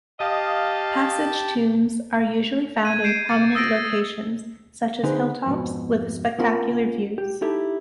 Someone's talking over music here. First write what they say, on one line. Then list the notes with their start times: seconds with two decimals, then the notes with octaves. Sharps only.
Passage tombs are usually found in prominent locations, such as hill-tops, with spectacular views.
0.20 G4 D#5 F5 A5
2.85 G#6 D#7
3.04 G6 C7 D7 E7
3.29 A6 C#7
3.55 D#6 E6 A6 A#6 D7
3.68 G6
3.85 D#6
5.03 D3 C4 D#4 G#4 B4
5.46 F2 G#2 B2
6.39 B3 C#4 F4 A#4 F#5 B5
7.18 G4
7.42 D#4 E4 G4 A4